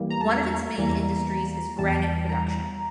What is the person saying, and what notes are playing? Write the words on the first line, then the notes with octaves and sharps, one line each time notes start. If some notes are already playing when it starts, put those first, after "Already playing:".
One of its main industries is granite production.
Already playing: E2 E3 G3 A#3
A#5
A5
A#5
E2 E3 G3 A#3 A#5
E2 E3 G3 A5
A#5